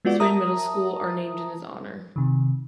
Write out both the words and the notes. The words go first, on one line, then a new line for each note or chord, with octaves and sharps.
Swain Middle School are named in his honor.
G#3 B3 F4 F#4 D5
A#4 E5 A5 A#5 D#6
C3 D#3